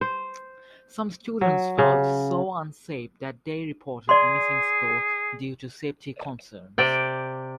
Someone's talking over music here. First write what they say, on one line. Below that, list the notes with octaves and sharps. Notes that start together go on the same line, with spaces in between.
Some students felt so unsafe that they reported missing school due to safety concerns.
C5
F#3
C#3
G#4 D5 C6
C3 D5 G5